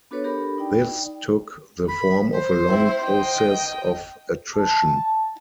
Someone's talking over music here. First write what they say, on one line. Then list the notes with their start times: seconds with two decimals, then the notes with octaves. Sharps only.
This took the form of a long process of attrition.
0.11 B3 D4 F#4 A4 B4 C#5
0.24 D4 G4 A4 A#4 B5
0.58 D#4 D5 G5
1.88 B5
2.32 C5
2.69 C4 E4
3.03 D#5 G5
4.54 A5